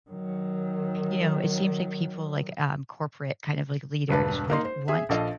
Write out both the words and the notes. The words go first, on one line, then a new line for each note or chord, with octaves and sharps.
you know, it seems like people, like, um, corporate kind of, like, leaders would want,
D#3 F#3
E1 G2 B4 A5
A#3 D#4 C6
C5
G#4 E5
A#1 F3 A4 D#5 F5